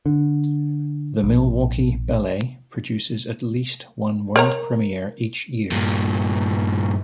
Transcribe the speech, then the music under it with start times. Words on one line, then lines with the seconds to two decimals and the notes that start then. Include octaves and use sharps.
The Milwaukee Ballet produces at least one world premiere each year.
0.06 D3
1.24 A#1
4.36 A#4 C#5 A#5
5.72 G2 A#2